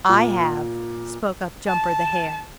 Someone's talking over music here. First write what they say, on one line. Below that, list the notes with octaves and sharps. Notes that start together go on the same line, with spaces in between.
"I have," spoke up Jumper the Hare.
A#2
A5